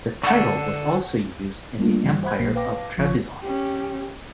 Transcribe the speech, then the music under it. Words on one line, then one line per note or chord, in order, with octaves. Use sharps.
The title was also used in the Empire of Trebizond.
D3 D4 A4 F#5 C#6
G3 A3 A#3 D4 F4
G2 E3 G3
C5 E5 F#5 B5 F#6 G#6
A#1 A#2 A#3 C7
B4 F5 G5 A5 D6 A#6
A1 F3 F4 C#6 F#6
C#4 G4